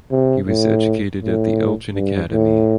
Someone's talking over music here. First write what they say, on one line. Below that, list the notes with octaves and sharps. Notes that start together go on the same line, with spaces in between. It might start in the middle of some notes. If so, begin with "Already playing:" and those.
He was educated at the Elgin Academy.
C3
A2
A2
G2
A2